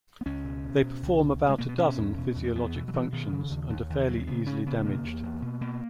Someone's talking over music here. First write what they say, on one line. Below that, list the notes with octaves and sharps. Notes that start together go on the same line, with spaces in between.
They perform about a dozen physiologic functions and are fairly easily damaged.
B3
C#2 C#4
B2
B2
B2
C#2
B2
B2
G#3
B2 A#3
B3
B2 C#4
E2
B2
E2
A#3
E2 B3
B2 E3
F#3
B2 E3
B2 D#3
C#3
D#2
D#2
D#2
C#3 F#3
C#3 B3
C#3 C#4
C#3 B3
B2 A#3
E2
E2
B2
B2 A#3